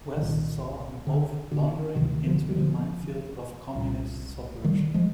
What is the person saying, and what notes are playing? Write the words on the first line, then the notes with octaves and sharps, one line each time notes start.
West saw an oaf blundering into the minefield of Communist subversion.
C2 D#3
A#2
D3
D3
D2 C3 D#3
D3 F3
G3
D3 F3
C2 A#2
D#3 G3
F3 G#3